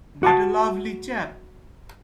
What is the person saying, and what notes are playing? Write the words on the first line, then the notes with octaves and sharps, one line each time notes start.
But a lovely chap!
F#4 A5